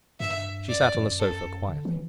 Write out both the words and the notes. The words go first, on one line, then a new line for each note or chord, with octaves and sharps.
She sat on the sofa quietly.
G2 E5
F#2 D5
F#2
A4
D3
E3